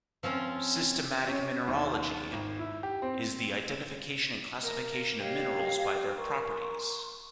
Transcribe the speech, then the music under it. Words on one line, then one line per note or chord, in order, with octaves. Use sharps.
Systematic mineralogy is the identification and classification of minerals by their properties.
F3 C4 C#4 F4
C#4
D#2
G#1
E4
G4
C4
A#3 A#4
G4 C#5 D#5 F5
A#4 C6 C#6